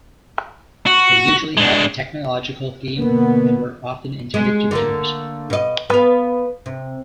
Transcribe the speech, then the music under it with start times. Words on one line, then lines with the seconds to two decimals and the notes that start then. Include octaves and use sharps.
They usually had a technological theme and were often intended to be humorous.
0.87 F#4
1.57 G#3 D4
2.99 B2 D3 A#3 B3
4.34 G#3
4.71 D3 A3 A#3
5.50 B2 D#5
5.90 B3 F5
6.66 C3